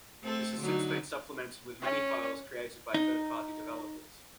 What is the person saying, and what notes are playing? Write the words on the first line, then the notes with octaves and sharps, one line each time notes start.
This has since been supplemented with many files created by third party developers.
A3 C4 A4
D3 F#3 D#4
C#4
D#4